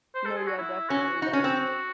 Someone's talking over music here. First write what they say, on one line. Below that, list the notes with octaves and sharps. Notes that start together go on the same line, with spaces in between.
No, yeah, definitely. That would
C5
A4
G#4
F#4
E4
C#4 F#4
D#4 F#4
C#4
C4